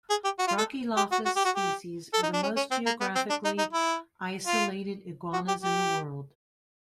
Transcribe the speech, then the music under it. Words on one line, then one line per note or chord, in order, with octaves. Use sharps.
"Brachylophus" species are the most geographically isolated iguanas in the world.
G#4
G4
F#4
F4
A4
G4
F#4
F#4
G4
F#4
G4
A4
D#4
D4
C#4
C#4
C4
A#3
B3
C4
D4
D#4
D#4
E4
F4
F#4
G4
G4